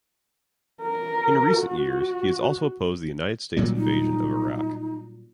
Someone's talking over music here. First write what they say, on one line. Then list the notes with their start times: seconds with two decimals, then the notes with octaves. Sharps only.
In recent years, he has also opposed the United States' invasion of Iraq.
0.83 A#4
1.59 F#4
3.57 A#2 F#3 G3
3.76 D#4